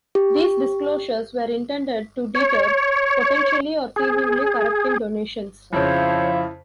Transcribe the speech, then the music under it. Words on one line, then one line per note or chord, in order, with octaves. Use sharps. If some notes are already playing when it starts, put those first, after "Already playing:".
These disclosures were intended to deter potentially or seemingly corrupting donations.
G4
C#5
G#4
F2 C#3 F3 E4 C5 C#5